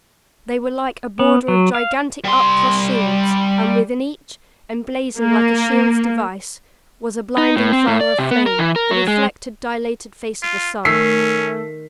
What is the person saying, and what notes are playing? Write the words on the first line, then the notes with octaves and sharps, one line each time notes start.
They were like a border of gigantic, upthrust shields; and within each, emblazoned like a shield's device, was a blinding flower of flame--the reflected, dilated face of the sun.
B3
F#3
F5
G3 C6
A#3
D#4
A2
C4
A2
D5
C3
B3
A#4
E3
A#4
F#3
G#3
F4
D#3 A3 C#4 E6 B6 C7